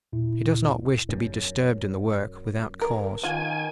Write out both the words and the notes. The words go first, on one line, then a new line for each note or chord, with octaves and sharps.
He does not wish to be disturbed in the work, without cause.
D#2 A#2 E4
F#2
A#4
D#3 F4 F#5 G#5